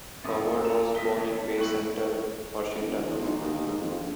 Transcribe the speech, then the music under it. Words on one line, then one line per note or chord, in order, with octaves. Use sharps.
Cowherd was born in Bay Center, Washington.
A1 F#2 C#3 A3 D#6
A4 A#5 E7
B1 D#5 B6 G7
E3 A3 C4 C#4
G#2 B3 E4 G5 C#6 F#7
E1
D2
E2
B1
D#2
D#2
G#2
F2
A#1